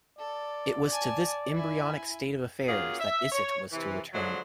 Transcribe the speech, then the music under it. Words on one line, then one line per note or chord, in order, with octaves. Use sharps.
It was to this embroyonic state of affairs that Isitt was to return.
A4 D5
G#5 A5
E4 G#5
A#3 C#4 F4 F#4 G#4
E5
C#5
C3 E3
D3 F3 F#3 G#3 C5